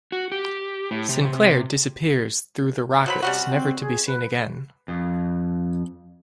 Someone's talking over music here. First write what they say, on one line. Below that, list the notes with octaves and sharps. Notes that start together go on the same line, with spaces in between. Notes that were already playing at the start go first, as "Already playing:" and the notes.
Sinclaire disappears through the rockets, never to be seen again.
F#4
G4
A2
C3
C3
B2 F#3 C5 B5
C3 G3 C#4 F#4
C4
G#4
B4
F2